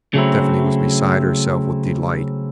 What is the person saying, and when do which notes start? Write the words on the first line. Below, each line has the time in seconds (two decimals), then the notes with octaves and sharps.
Stephanie was beside herself with delight.
0.14 C#3 F#3 A3 C4 E4